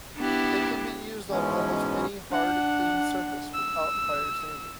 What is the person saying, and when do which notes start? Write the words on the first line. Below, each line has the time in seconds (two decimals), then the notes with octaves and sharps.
It can be used on almost any hard, clean surface without prior sanding.
0.16 B3 D4 E4 G4
1.30 G#2 B2 E3 G#3 C#4
2.31 D4 F#5
3.54 E6